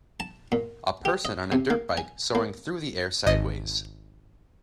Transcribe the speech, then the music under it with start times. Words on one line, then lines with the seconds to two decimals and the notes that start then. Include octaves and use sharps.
A person on a dirt bike soaring through the air sideways.
0.20 A5
0.52 A#2
1.05 G4
1.25 D#5
1.52 C3
1.70 A#3
1.97 G#5
2.35 A#3
3.27 G#1 D#5